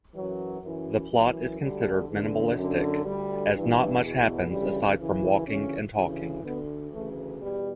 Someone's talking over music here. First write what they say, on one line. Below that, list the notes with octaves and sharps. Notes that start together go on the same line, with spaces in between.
The plot is considered minimalistic, as not much happens aside from walking and talking.
F#2 E3 F#3
F#2 E3
F#2 E3
D2 D3 G3
E2 D3
F#2 D3
D2 D3 G3
G2 E3
E2 B2
D2 C#3 E3 G3
F#2 C#3 E3
D2 C#3 E3 C#4
D2 C#3 E3
D2 D3 B3
D2 C#3 E3 A3
E2 B2 G3